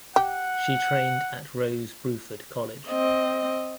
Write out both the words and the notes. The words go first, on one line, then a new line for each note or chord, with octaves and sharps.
She trained at Rose Bruford College.
G4 F#5
C4 D#5